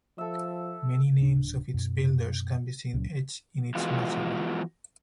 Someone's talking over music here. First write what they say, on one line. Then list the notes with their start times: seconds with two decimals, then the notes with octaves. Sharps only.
Many names of its builders can be seen etched in its masonry.
0.18 F3 A4 E5
1.20 D1 D4
1.74 F#2 B2
2.93 C#2 A#2 F#3 C#4
3.75 E3 F3 G#3 B3 F4 F#4